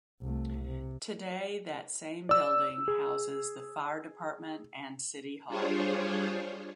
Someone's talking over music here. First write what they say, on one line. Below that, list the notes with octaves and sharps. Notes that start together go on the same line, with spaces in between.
Today, that same building houses the Fire Department and City Hall.
C2 A3
C3
D5 E6
G#4
G3 D4 F4 G#4 C5 C#5